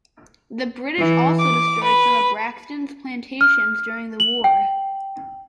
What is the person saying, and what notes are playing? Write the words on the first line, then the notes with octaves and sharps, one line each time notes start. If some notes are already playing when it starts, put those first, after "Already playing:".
The British also destroyed some of Braxton's plantations during the war.
E3
D6
B4
F6
F#7
G5